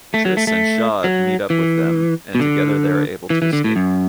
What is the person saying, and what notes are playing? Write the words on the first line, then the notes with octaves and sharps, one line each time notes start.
Triss and Shogg meet up with them, and together they are able to escape.
A3
F#3
A3
A3
F#3
E3
B2
D3
E3
E3
D3
A2
F#2